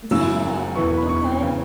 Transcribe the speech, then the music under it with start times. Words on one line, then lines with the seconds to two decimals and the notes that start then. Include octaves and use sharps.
Yeah, okay,
0.11 F#2 C#3 F#3 E6
0.76 E1 E2 E3 B3 C#6
0.88 C#6
0.97 B5
1.09 C#6
1.42 C#3 E3